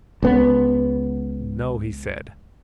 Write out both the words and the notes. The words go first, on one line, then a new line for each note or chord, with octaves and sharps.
"No!" he said.
C#2 B3